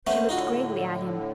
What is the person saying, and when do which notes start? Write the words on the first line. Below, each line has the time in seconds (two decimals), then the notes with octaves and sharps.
She looked gravely at him.
0.07 A3 B3 C#4 C5
0.29 A2 D3 D#4 F4 F#4